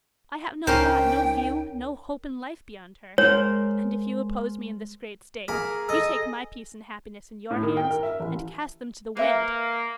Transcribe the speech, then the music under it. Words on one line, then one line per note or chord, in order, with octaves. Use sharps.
I have no thought, no view, no hope in life, beyond her; and if you oppose me in this great stake, you take my peace and happiness in your hands, and cast them to the wind.
C#2 C#4 D#4 A#4 C5 G5
G#3 A#4 C5 C#5
A#3 G#4 A#5 B5
A4 D#5
A2
D#3
G5
A#4
E5
A1
A#3 B4 E5